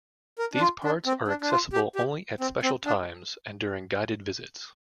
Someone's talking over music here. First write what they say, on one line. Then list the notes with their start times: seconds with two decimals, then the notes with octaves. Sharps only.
These parts are accessible only at special times and during guided visits.
0.39 A#4
0.54 D4
0.61 F4
0.84 D4
1.06 C4
1.28 D4
1.42 D4
1.51 F4
1.73 G4
1.95 G4
2.40 C4
2.63 C4
2.86 D4